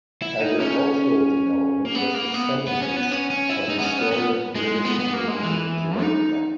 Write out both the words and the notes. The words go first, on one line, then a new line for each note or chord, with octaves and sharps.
Agricultural development was the centrepiece of restored British rule in Jamaica.
E4
D#4
C#4
A#3
B3
A#3
B3
B3
C#4
B3
C#4
C#4
E4
D#4
B3
C#4
B3
B3
G#3
B3
B3
A#3
G#3
E3
D#4